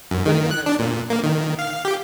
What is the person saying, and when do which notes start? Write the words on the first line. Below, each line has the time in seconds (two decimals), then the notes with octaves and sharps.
But again, it's like
0.11 F#2
0.26 D#3
0.51 F#6
0.66 D4
0.79 A#2
1.10 A#3
1.23 D#3
1.59 F5
1.85 G4